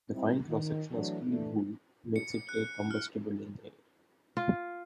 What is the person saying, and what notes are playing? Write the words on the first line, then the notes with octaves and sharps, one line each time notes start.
The fine cross-section of steel wool makes it combustible in air.
G3 C4 D#4 E4
D#3
E3 F#3 A3 D4
E3 A3 D4
C#7
F#6
F6
F4